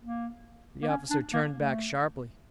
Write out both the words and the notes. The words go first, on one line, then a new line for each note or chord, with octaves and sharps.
The officer turned back sharply.
A#3
A#3
C#4
D4
A#3
A3